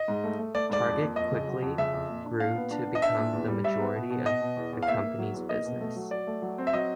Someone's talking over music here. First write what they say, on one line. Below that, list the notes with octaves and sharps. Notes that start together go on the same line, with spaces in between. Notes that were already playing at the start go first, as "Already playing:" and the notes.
Target quickly grew to become the majority of the company's business.
Already playing: D#5
G#2
A3
A3
A3 D5
G#2 D5
F2
A#3
F2 D#5
C#3
F#3
F2
C#3 E5
F2
A#2
D4
A#2 F5
B3
D4
B3
D#5
D4 E5
A#2
E2
G3
G3 E5
B3
B2
B2
B2 D#5
B2
E2
E2
F5
A#3 E5
A#3
F#3
E2
A#3 D#5
B2
A3
F#3
F#3 D5
A3
F#3
C4
E5
F#3 D#5